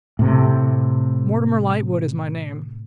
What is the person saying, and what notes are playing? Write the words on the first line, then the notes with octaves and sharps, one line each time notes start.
'Mortimer Lightwood is my name.
A2 C3